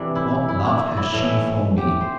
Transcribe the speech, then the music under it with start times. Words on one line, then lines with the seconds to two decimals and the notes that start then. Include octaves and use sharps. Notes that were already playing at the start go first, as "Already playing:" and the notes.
What love has she for me?
Already playing: C3 E3 A3 D4
0.15 E4
0.49 E4
0.65 D4
0.97 E4
1.13 A2 E3 A3
1.77 G4
2.01 C5